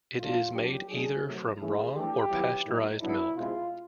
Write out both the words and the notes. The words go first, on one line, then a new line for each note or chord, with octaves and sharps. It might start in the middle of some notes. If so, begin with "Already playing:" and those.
It is made either from raw or pasteurized milk.
A2 F3 A3 D4 F4
F#3 A#3 D4 G4
F#3 A3 D4 G#4
C3 D#3 F#3 A3
E3 A3 C#4 E4 G#4
E3 A3 D4 G4
D#3 F#3 B3 E4
A2 F#3 A#3 D#4
F#3 B3 D4 E4
B2 G#3 C4 E4 F4